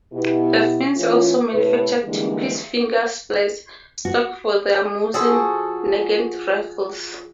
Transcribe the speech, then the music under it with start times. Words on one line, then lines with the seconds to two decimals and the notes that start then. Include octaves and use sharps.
The Finns also manufactured two-piece "finger splice" stocks for their Mosin-Nagant rifles.
0.13 B2 E4 G4
0.95 E3 A3 C#4 F4
1.53 A2 C3 A4 B4
2.03 D3 E3 G3 G#3 A#3 G#4
4.05 F#4
5.14 F3 F#4 G#4 A4